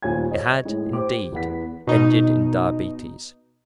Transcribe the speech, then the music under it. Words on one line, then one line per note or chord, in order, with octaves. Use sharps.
It had, indeed, ended in diabetes.
D#1 A#2 G3 C#5 G#5 G#6
C#5 D#5
A2 G#3
G4 C5 G5 D6
E2 B3 F#5 B6
B2 D#4